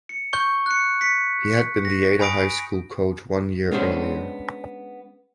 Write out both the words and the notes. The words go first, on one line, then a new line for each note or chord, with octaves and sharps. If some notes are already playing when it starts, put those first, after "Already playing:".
He had been the Ada High School coach one year earlier.
C#7
C#6 G6
F#6 C#7
B6 C#7
A#6
G#5 B5 D#6 D7
G#3 B3 C#4 D4 C5